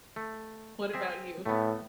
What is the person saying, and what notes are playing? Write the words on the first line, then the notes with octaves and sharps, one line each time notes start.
What about you?
A3
C4 G#4 E5
A2 A3 B3